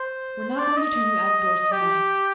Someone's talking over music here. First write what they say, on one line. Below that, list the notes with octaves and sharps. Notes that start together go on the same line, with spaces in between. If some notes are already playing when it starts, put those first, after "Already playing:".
We're not going to turn you out-of-doors to-night.
Already playing: C5
D5
D#5
G4